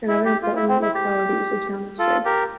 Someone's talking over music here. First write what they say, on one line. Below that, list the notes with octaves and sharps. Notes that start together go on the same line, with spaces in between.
Another important locality is the town of Sig.
E4
G4
F4
E4
C4
E4
G4
F4 A4
G4 A#4